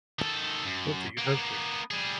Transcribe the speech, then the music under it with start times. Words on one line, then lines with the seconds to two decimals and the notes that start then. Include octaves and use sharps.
What do you have there?
0.19 D#3 A4
0.66 F#2
1.18 A#3 B3
1.91 G3 G#4